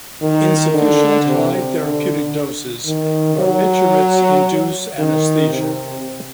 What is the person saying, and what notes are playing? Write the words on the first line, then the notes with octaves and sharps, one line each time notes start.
In sufficiently high therapeutic doses, barbiturates induce anesthesia.
D#3
D3
C3
D3
D#3
F#3
D#3
C3